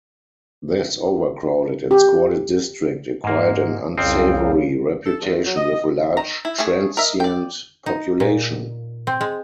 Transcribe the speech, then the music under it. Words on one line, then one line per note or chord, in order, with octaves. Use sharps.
This overcrowded and squalid district acquired an unsavoury reputation with a large transient population.
G4
G#2 A#3
C2 F2 C#3 F3 C4
A4
E2
F#3
D#5
D#3 A#5
E4
A3 G#4
A#4 D#5 E5
D5 G5
D#4
A#2
C4
G#3